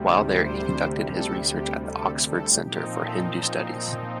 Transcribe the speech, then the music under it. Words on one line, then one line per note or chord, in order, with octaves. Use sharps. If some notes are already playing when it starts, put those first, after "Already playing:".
While there, he conducted his research at the Oxford Centre for Hindu Studies.
Already playing: D2 C3 G3
C5
A4
G4
A4
A4
A#2 F3 C4 D#4 G4
A4